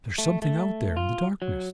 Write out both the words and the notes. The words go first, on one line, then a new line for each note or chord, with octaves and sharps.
"There is something out there in the darkness."
A3
A3
F4
F#3